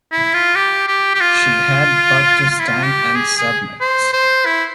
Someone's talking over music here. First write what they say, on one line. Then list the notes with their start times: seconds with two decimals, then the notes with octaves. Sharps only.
She had but to stand and submit.
0.12 E4
0.34 F4
0.55 G4
0.87 G4
1.14 G4
1.20 F4
2.50 F4
2.59 E4
2.67 F4
2.83 G4
3.16 G#4
3.37 G#4
3.81 C5
4.13 C5
4.46 E4